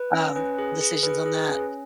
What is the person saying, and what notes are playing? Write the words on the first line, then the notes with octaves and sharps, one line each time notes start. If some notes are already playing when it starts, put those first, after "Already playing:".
um, decisions on that,
Already playing: B4
C#4
C#4 B4
G#4
G#4
G#4 B4
G#4
C#4